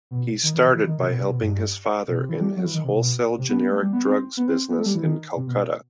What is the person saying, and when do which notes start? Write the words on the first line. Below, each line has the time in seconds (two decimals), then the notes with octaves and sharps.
He started by helping his father in his wholesale generic drugs business in Kolkata.
0.11 B2
0.43 D#3
0.54 E3
0.66 C3
0.75 E3
0.87 D#3
0.98 C3
1.09 B2
1.20 C3
1.31 B2
1.41 G2
2.08 B2
2.19 C3
2.29 E3
2.40 G3
2.56 F#3
2.65 E3
2.74 D#3
2.84 C3
2.95 B2
3.38 C3
3.49 B3
3.60 B3
3.71 A3
3.82 G3
3.93 B3
4.04 C4
4.37 B3
4.48 C4
4.69 B3
4.79 A3
4.86 G3
4.95 E3
5.03 D#3
5.36 C3
5.47 B2